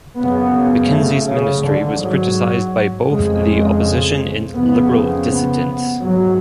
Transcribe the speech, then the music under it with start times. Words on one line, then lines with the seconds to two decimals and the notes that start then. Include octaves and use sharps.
Mackenzie's Ministry was criticised by both the opposition and Liberal dissidents.
0.17 F#2 C#3 B3
0.90 A3
1.27 C#3
1.64 G#2 D3
2.00 F#3
3.09 F2 C#3 G#3
4.55 F2 C#3 B3
5.28 B3
6.01 G#2 F#3